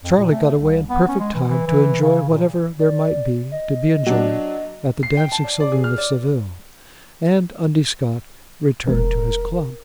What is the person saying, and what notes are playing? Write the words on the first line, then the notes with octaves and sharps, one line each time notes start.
Charley got away in perfect time to enjoy whatever there might be to be enjoyed at the dancing saloon of Seville, and Undy Scott returned to his club.
F2
A#2
A3
C2
B3
C#4
G#3
E3
E3
E3
C#3
A#2
D5
D#5
F#3 D4
C7
G5
A5
D5
D5
G#4
F6
D5
E1 A#4